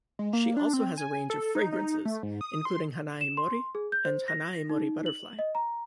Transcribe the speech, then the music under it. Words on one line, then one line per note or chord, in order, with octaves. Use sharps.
She also has a range of fragrances, including Hanae Mori and Hanae Mori Butterfly.
G#3
A#3
D4
C4
G#5
A4
D#4
D#4
A3
G#2
D#6
C6
E7
C6
G#4
G6
C5
A#6
D#4
F#7
D#5
A#5